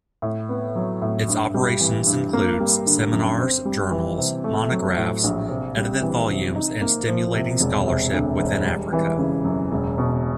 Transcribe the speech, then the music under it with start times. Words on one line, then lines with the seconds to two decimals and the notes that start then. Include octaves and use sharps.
Its operations includes seminars, journals, monographs, edited volumes and stimulating scholarship within Africa.
0.22 A2
0.49 B3
0.75 F#3
1.02 A2
1.29 G2
1.54 G3
1.81 E3
2.07 G2
2.33 A#3
2.60 G3
2.86 D3
3.13 F#2
3.39 C4
3.65 G3
3.91 E3
4.18 C3
4.44 A3
4.71 F#3
4.97 A2
5.24 A#1
5.50 C3
5.76 G3
6.02 E3
6.29 C3
6.55 D#4
6.81 A#3
7.08 F3
7.35 C3
7.60 E1
7.87 C3
8.13 D2
8.39 E1
8.66 G3
8.92 E3
9.19 C#3
9.45 F#2
9.72 E1
9.98 B2